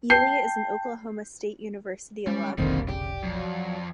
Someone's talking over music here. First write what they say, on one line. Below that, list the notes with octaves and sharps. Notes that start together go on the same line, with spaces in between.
Ealey is an Oklahoma State University alum.
G5 A5 G6 C7
G3 G#3 C#4
F1 B1 D3 D#3 G3 A#3 C4
C#3 G4 D5
F2 F#3